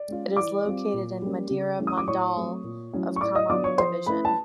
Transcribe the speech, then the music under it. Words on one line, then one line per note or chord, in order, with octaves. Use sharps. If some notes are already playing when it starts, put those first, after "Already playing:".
It is located in Madhira mandal of Khammam division.
Already playing: D5
G#3 C#4 F4
E3 D5 D6
G3 C4 F4
A#2
G3 A#3 C#4
C#3
E3 A3 C#4
D#6
D6
A2 C#5 C#6
F#3 A3 C4
A#2
F#3 A3 C#4 E4
C#6
A2 D5 D6
D#5 D#6
F#3 B3 D4 F4 D5 D6
C#5 C#6
F3 C5 C6
A3 C#4 E4 B4 B5
A5